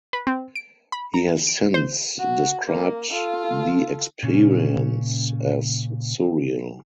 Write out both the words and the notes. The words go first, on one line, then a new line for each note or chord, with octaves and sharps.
He has since described the experience as "surreal".
B4
C4
D7
B5
A#5
D7
C5
F#4
A#3
F4 A4
A#2 C#3 C#4